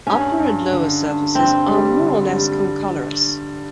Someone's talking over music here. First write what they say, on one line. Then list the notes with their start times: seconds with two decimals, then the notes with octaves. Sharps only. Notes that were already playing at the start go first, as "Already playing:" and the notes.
Upper and lower surfaces are more or less concolorous.
0.07 G2 C#4
0.39 G2
0.71 D3
1.03 G2
1.35 G2 C4
1.68 G3
2.00 D3
2.32 G3